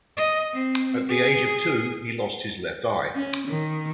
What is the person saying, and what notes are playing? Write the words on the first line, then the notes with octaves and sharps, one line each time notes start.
At the age of two, he lost his left eye.
D#5
C4
G#4
C#4
D#3